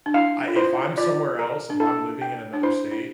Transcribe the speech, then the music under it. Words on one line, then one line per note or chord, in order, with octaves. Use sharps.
I if I'm somewhere else, if I'm living in another state,
D4
E4 F5
F4
E4 C5
F4 D5
A#4
D4
E4 A4
G5
D4
E4 C5
E4